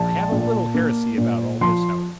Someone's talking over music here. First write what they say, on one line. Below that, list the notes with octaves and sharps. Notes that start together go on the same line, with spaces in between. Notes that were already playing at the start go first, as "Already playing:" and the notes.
I have a little heresy about all this, however.
Already playing: A#1 A5
A#2
A#3
A#2
F3 C6